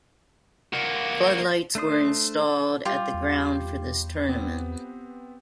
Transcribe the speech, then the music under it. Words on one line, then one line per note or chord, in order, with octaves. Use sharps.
Floodlights were installed at the ground for this tournament.
A#3 F#4
A3 D4 C5 D#6
G3 F4 G4
E2
B3 C4 B4